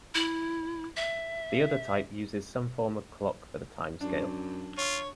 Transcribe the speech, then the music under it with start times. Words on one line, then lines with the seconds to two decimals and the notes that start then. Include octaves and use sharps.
The other type uses some form of clock for the time scale.
0.15 E4
0.97 E5
4.01 F#2 D4
4.78 F4 C#5